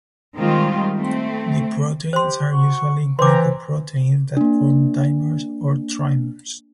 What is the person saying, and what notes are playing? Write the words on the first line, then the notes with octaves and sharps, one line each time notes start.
The proteins are usually glycoproteins that form dimers or trimers.
D#3 G3 G#3 C4 F4
A3 C4
G4 C5 C6
F#4 C#6
E3 B4 C5 G5 A#5 C6 D6
A#3 D4